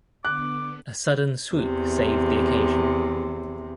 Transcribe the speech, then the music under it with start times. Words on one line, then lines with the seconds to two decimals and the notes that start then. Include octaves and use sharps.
A sudden swoop saved the occasion.
0.25 D3 B3 D6 F#6
1.54 E2 C3